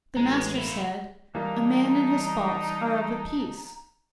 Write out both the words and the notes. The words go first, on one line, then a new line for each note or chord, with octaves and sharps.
The Master said, A man and his faults are of a piece.
A1 G#3 A#5
A#3 E4
E3 G3 A#3 D4 D#4 A#5